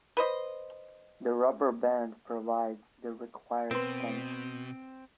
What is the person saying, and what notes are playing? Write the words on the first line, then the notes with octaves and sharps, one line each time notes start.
The rubber band provides the required tension.
B4 C5 D#5
B2 C4 A#4 B4 C6